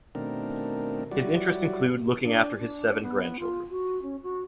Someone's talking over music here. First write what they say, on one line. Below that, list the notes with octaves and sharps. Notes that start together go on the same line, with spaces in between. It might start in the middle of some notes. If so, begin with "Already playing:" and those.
His interests include looking after his seven grandchildren.
B2 D#3 A3 C4 D4 A#4
F#3 G3 E4 F#4 D5
D4
D4
B3
F4
F#4
C#4
F#4